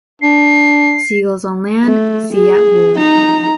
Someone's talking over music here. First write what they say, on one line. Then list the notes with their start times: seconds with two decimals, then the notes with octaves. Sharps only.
Seagulls on lands, sea at war.
0.22 D4 C7
1.85 A3
2.34 G#4
2.99 D#4 A#5